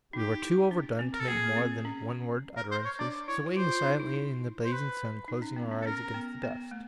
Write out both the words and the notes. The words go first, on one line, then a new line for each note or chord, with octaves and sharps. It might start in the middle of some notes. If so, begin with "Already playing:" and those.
We were too overdone to make more than one-worded utterances, so waited silently in the blazing sun, closing our eyes against the dust.
D#4 G4
E4
D4
C4
A#4
A4
A#3 G#4
C4
C#4
A#4
C5
C#5
D4 D5
E4 C#5
E4
F4 C5
F4
D#4
E4
E4
C5
B4
D#4
C#4
B3
C#4
A4
C#4 A#4
B3
B3
A3